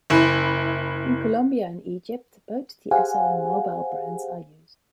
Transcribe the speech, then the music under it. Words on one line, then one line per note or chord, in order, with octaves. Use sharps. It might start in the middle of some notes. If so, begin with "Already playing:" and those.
In Colombia and Egypt, both the Esso and Mobil brands are used.
F#1 E4
G4 G#4 C5 F5 F#5 G#5